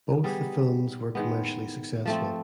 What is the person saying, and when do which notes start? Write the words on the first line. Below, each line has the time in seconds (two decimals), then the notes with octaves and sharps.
Both the films were commercially successful.
0.24 G3 B3 D#4 G#4
1.15 D#3 G#3 B3
2.06 F3 A3 C4